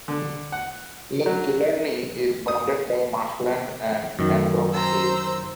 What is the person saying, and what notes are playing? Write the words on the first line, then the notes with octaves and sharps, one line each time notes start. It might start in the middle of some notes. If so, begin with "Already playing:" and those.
Lake Killarney is bounded by marshland and mangrove cays.
D3
F#5
F#3
D#6
F#2 D#3
C5 A#5 E6